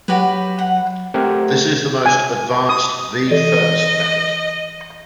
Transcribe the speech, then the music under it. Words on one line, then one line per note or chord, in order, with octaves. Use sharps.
This is the most advanced V first method.
F#3 F#4 G4 B4
F#5
A3 C4 G4 A#4 F#5 G#6
G#5
D#6
E3 A4 D5 D#5